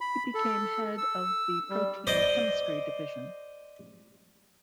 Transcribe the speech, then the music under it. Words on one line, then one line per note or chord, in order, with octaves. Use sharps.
He became head of the Protein Chemistry division.
B5
A4
E6
G3
C5 D5 D#5